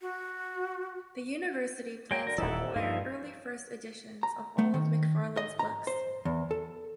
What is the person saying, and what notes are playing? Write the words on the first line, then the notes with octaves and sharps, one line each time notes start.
The university plans to acquire early first editions of all of McFarlane's books.
F#4
F#3 G#3 G5
D3 A#4
D#1 E3 D#4 A4 E5 F#5
C3
G2 F3 D#4 F4 E5
A#5
A3
D#3
D#5
A#5
C5
E2
A4